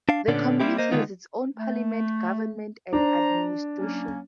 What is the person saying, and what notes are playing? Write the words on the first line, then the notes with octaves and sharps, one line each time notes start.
The Community has its own parliament, government, and administration.
D4 F5
A#2 D3 B3 C#4 D4
G3 A#3 C4 D#4 E4 G4
A#3 C5 D#5
D3 D#3 G#3 B3 D#4 F4
A3
D4 C5 A#5
F#3 A#3 C#4